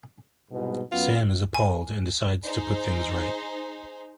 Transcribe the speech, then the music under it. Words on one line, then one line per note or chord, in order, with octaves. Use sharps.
Sam is appalled and decides to put things right.
C2 G#2 B2
F#2 B3 F4
G#5
D#4 G#4 C5